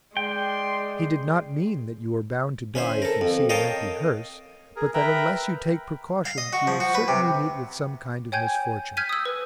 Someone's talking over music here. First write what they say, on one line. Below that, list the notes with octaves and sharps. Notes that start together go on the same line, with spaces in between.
He did not mean that you are bound to die if you see an empty hearse, but that unless you take precautions you will certainly meet with some kind of misfortune.
G#3 D5 G5 C6
C#4 E4 C5
A4 A#4
F2
A#4 C#5 D#5 F5 G5 A5
G#4 A#4
A#4 B4 E5 G5 A#5 B5
F5
D#5
F#4
F3
F#4
B4
C3
C#5 G5 G#5 G6 G#6
F6 G6 G#6 B6 D#7
D#6 E6
B4